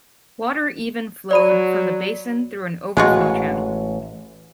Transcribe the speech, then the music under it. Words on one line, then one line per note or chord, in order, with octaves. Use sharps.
Water even flowed from the basin through an overflow channel.
F#3 D5 B5 D#7
A1 G#3 F4 F#4